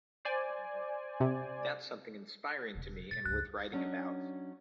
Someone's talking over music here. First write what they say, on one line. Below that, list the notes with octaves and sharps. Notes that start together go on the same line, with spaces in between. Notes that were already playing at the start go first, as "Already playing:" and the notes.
That’s something inspiring to me and worth writing about.
C5 D5 G#5
C3
E1 C#3
G#2 B2 A6
C#2 G2 F#6
F#3 C#4 D4 D#5